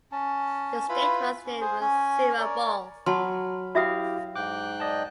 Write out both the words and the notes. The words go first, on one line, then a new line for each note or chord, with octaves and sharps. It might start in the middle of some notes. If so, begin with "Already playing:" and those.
The state was named Seorabeol.
C#4 A5
E4 F4 B4 B5
C#4
G#4 C5
C#4 G#5
A#4 C#5 D5
F#3 A5 B5 C6 F6
E4 F#4 G4 E5 F5 D#6
G#2 G5 D6 F#6
D5 D#5 A5